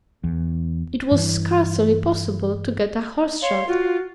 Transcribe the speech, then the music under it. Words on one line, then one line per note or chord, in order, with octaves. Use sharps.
It was scarcely possible to get a horse shod.
E2
G2 E3
C#5 F5 C6
F4 F#4